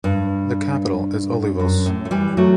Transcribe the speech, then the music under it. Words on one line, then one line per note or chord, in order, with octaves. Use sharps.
The capital is Olivos.
G2
F#2
A2
A3
E3 G3
F#3 A3